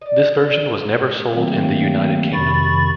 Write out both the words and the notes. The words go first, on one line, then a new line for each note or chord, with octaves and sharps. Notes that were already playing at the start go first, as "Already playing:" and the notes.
This version was never sold in the United Kingdom.
D5 D#5
D#3 F#3 A3 A#3 C4
F2 C3 D#3 B5 C#6 A6